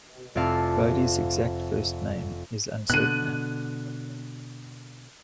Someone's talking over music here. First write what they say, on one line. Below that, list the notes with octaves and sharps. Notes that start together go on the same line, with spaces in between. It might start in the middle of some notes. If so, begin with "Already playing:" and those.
Bodey's exact first name is uncertain.
F1 F2 D5 F5 A5
B2 D3 F#6 D#7